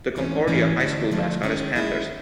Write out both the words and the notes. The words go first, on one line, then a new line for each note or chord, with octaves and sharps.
The Concordia High School mascot is Panthers.
G#2 E3 A3 C#4
G#2 E3 A3 C#4
D3 F3 A3 D4
D3 F3 A3 D4
D#3 G#3 C#4 E4
D#3 G#3 C#4 E4